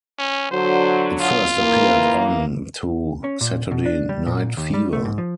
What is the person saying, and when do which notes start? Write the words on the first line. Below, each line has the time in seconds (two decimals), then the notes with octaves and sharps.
It first appeared on to "Saturday Night Fever".
0.19 C#4
0.52 D3 F#3 C5
1.21 F4
1.58 E3 A#3
3.24 C#4
3.41 A#2
3.71 B2
3.86 D4
4.09 G3
4.26 A#2
4.57 D#2
4.74 G3
4.93 A3
5.05 G#2
5.18 F3